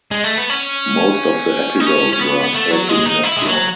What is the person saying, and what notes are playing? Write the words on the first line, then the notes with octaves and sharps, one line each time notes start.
Most of the episodes were thirty minutes long.
G#3
A3
B3
C#4
D#4
C#4
C#4
B3
B3
A3
F#3
G#3
D#4
E4
G#3
F#3